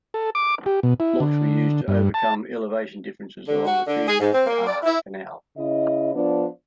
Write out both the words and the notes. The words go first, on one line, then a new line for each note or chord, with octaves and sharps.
Locks were used to overcome elevation differences along the D and R canal.
A4
D6
G4
B2
E4
D3
G2
A5
D3
F#4
D3
G#4
G#2
C4
A#3
D5
E4
C#3 E4 D#5
F3 B3 D4